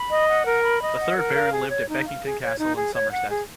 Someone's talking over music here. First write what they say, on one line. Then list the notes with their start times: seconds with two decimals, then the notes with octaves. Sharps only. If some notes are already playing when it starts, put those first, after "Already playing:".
The third Baron lived at Beckington Castle in Somerset.
Already playing: B5
0.10 D#5
0.28 F#5
0.46 A#4
0.63 B5
0.82 D#5
0.99 F#5
1.17 A#4
1.34 F5
1.52 G#4
1.70 C#5
1.88 D#4
2.05 F5
2.23 G#4
2.41 C#5
2.58 D#4
2.76 G#4
2.94 C#5
3.11 F#5
3.29 G#4